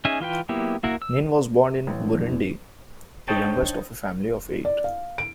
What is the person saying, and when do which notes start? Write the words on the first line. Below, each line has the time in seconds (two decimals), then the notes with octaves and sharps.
Nin was born in Burundi, the youngest of a family of eight.
0.05 C#4 D#4 G#4 E5 G#5
0.20 E3 F4 B4 G5
0.49 F#3 A#3 B3 E4 G4
0.83 A#3 E4 F#4 A#4
1.02 E6
1.87 A1 A2
2.01 A#3 D4
2.13 F#2 D4
2.27 E2 B3
3.28 D4 D#4 C5 C#5 G5 A5
4.65 D5
4.84 F5
5.18 D7